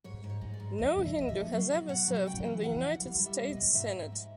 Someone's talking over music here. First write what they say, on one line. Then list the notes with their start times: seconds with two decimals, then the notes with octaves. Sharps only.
No Hindu has ever served in the United States Senate.
0.04 G#2 C#5
0.24 G#2
0.30 C#5
0.41 G#3
0.54 D5
0.60 G#2
0.78 F2 D#5
0.97 F2
1.04 E5
1.16 F2
1.21 D#5
1.29 E5
1.34 D3
1.52 F#3 F5
1.71 B2
1.89 B2 F#5
2.08 F#3
2.27 C#3 G5
2.45 E3
2.63 F2 F#5
2.83 E3
3.00 G3 F5
3.19 G3
3.26 E5
3.38 B2
3.49 D#5
3.57 B2
3.74 G#2 E5
3.92 G#2
4.12 G#3